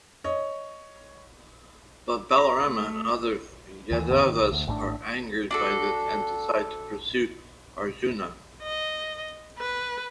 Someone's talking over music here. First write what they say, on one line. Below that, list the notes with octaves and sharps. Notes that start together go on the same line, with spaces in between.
But Balarama and other Yadavas are angered by this and decide to pursue Arjuna.
C#5 D#5
A#5
A3
D#2 E3
G#1 E2 D3 B3
G#1 D#3
C2
D2
G#1 A2 D#3 D4
D4 F#4 A4
D#5
B4